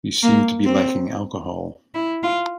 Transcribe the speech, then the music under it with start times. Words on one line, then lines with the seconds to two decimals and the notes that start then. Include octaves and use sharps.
We seem to be lacking alcohol.
0.23 A#3
0.66 C4
1.95 E4
2.23 F4